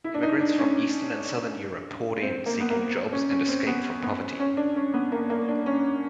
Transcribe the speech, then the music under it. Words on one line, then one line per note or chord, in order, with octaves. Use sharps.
Immigrants from Eastern and Southern Europe poured in seeking jobs and escape from poverty.
E4
D4
D#4
D4
C#4
C4
A#3
B3
A#3
C4
C#4
C#4
C4
B3
B3
C#4
D4
C#4
B3
A#3
A#3
D4
C#4